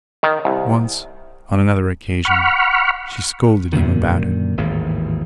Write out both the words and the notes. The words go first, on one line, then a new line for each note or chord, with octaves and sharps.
Once--on another occasion--she scolded him about it.
D#3
C2
F#5 B5 C#6 F6
F#2 A#2 D3 D#3
G#1 D#2 A2 E3